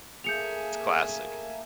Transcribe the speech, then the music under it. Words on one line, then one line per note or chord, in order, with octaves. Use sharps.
It's classic.
A3 A#3 G#4 E5 G#5 G6 C#7 F7